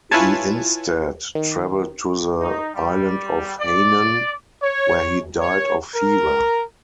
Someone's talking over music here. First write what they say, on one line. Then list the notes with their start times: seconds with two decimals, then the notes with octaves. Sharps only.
He instead travelled to the island of Hainan, where he died of fever.
0.11 E4 F4 B4 C#5 G#5 A5
1.35 D#3
2.40 D#4
2.74 G3
3.60 D5
4.62 C#5
5.40 C#5
5.94 A#4